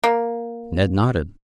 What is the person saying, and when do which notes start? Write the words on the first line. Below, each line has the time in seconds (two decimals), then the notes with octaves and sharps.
Ned nodded.
0.04 A#3